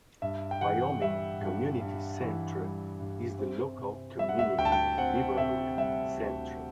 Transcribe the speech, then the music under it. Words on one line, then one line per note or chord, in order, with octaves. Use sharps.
Wyoming Community Centre is the Local Community Neighbourhood Centre.
G2 E5
G5
E3 F#5
G3 E5
G2
G2
E3
G3
G2
C4
C3
G3 E5
F#5
E5
D2 G5
A5
G5
C4 F#5
C3 E5
G3 E5
D2